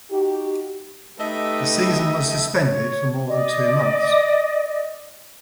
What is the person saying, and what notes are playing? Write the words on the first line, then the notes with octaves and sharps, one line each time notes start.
The season was suspended for more than two months.
D#4 F#4 G4
A3 D#4 G4 A4 B4 D#5 E5
C#5
D5 D#5